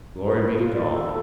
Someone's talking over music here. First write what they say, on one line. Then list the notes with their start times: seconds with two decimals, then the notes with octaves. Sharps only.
Glory be to God.
0.26 A#4
0.41 E4
0.57 F4
0.73 D5
0.92 A4